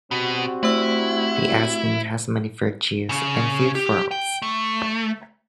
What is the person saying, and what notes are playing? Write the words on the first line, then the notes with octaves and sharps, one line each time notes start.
The Aston has many virtues and few faults.
B2 G3 C4 F#4
A3 E4 C5 E6
C#3 C#4
G4
G5
A3